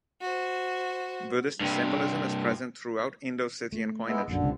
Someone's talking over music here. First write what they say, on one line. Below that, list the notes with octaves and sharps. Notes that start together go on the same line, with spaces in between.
Buddhist symbolism is present throughout Indo-Scythian coinage.
F#4 C5
G2 C3
A3
G#3 B3 E4
A#1 F#2 D3
C#2 C3